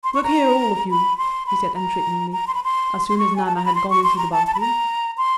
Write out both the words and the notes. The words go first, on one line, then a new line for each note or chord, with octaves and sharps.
"Look here, all of you," he said entreatingly, as soon as Nana had gone into the bathroom.
C6
C#6
A#5
B5
C6
B5
A#5
A#5
C6
B5
C6
C6
C#6
G#5
A5
A#5
B5
C6
C#6
C6
A#5
A5
A5
B5
A#5
C6